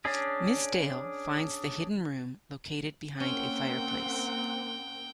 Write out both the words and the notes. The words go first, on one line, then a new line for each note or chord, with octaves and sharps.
Miss Dale finds the hidden room, located behind a fireplace.
C#4 D4 G#4
A#3 C4 C#4 F#5 G5